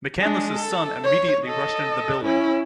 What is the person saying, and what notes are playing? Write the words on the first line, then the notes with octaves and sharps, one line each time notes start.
McCanles's son immediately rushed into the building.
G#3 D4
A4
C#5
A4 D#5
C#4 E4